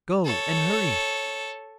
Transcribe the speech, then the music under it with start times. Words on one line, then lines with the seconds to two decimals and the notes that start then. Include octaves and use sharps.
Go, and hurry.
0.25 A4 C#5